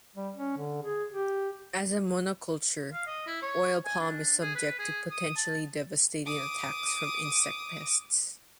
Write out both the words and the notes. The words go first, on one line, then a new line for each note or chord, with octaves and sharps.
As a monoculture, oil palm is subject to potentially devastating attacks from insect pests.
G3
C#4
D3
G#4
G4
F5
D#5
E4
C#5
G#5
D4
G#4
B4
G#4
D#6
A5
D6 D#6